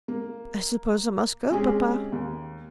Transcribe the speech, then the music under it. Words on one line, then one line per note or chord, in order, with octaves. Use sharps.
"I suppose I must go, papa?"
A#3
G#3 C4 C#4 G4 G#4
D#2